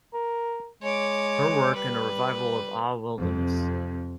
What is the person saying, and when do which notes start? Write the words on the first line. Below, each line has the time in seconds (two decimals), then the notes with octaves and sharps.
Her work in a revival of Ah, Wilderness!
0.14 A#4
0.83 G#3 C#5 D6
1.75 G3 B4
3.18 F2 C3